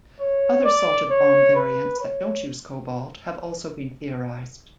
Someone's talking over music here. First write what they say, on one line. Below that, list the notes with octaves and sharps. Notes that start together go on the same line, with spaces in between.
Other salted bomb variants that don't use cobalt have also been theorized.
C#5
D5
C#5
B4
C#5